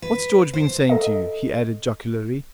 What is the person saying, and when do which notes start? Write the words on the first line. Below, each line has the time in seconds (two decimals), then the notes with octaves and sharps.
What's George been saying to you?' he added jocularly.
0.02 B4
0.53 C5
0.89 A4 D#5